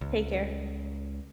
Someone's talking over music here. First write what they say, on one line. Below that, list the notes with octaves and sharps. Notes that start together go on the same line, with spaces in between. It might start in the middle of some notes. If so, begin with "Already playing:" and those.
Take care.
C#2